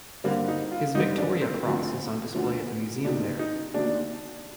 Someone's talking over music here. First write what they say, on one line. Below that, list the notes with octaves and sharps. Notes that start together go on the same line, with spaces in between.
His Victoria Cross is on display at the museum there.
G2 D3 G3 A#3 C4
D#4
F4
G2 D3 G3 C4 D#4
D4
C4
D2 D3 F3
D2 D3 F3
D2 C3 D#3 A#3 D4
D#4
D2 C3 D#3 A#3 D4